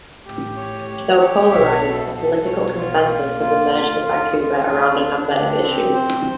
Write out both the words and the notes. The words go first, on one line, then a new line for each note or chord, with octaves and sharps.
Though polarized, a political consensus has emerged in Vancouver around a number of issues.
A1 A2 G4
C#5
G4
C#5
B1 B2 E5
A4
B1 B2 A4
C#5
F4
A#3
F4
D2 D3 F4
D#2 D#3 F4
F4
D#2 D#3 D4
D4
D2 D3 G4
C#2 C#3 C4
C2 C3 C5